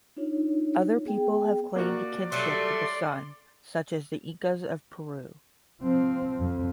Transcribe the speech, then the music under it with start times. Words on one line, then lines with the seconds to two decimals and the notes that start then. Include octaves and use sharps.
Other people have claimed kinship with the sun, such as the Incas of Peru.
0.17 D4 D#4 F4 C#5
1.04 B3 G#4 G5
1.76 A#3 F#4 D5
2.32 F#3 G3 A3 C6
5.82 F3 C4
6.40 F2